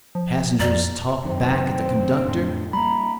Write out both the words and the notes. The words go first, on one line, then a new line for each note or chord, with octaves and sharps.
Passengers talk back at the conductor.
F3
F2 D5 A#5
F#2 D#3 C4
F2 A2 D4
G3 A#3 A#5 B5